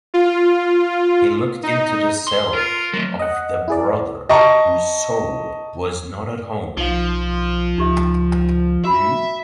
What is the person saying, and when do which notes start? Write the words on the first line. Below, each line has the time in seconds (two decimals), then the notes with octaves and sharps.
He looked into the cell of the brother whose soul was not at home.
0.14 F4
1.63 D#4
2.28 C6
2.54 F4 A#4
2.93 F#3 A3
3.19 D#5 F#5
3.68 E4 G#4 D5
4.29 D#5 G5 A5 A#5 C#6
6.77 B1 F3 D#4 F5
7.78 C#2 D#4 G4 E5
8.85 F#4 E5 B5